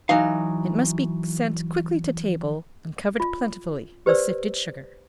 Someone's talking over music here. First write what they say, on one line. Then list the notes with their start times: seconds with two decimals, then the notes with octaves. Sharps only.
It must be sent quickly to table, and covered plentifully with sifted sugar.
0.09 E3 F#3 D#4 F5
3.20 F4
4.06 G4 B4 C5 D5 E6